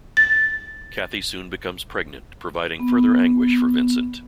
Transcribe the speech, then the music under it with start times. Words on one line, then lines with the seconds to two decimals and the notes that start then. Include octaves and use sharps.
Cathy soon becomes pregnant, providing further anguish for Vincent.
0.17 A6
2.80 B3